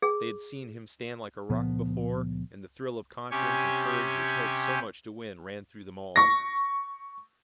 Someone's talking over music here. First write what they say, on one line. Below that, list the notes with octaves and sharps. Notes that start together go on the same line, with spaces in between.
They had seen him stand like a rock before, and the thrill of confidence and courage which help so much to win ran through them all.
G#4
C#2 A#2 F3 B3
C3 C#4 G4 G#5 C#6
C#6 A#6